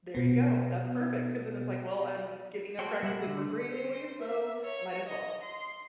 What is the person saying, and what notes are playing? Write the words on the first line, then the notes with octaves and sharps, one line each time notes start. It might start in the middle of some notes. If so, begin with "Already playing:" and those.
There you go, that's perfect, 'cause then it's, like, well, I'm getting them practically for free anyways, so might as well.
B2 B3
F#4 A4 C5 C#5 G5
G3 E5 F#5
D3
C5
E5
C#5
D#5
C6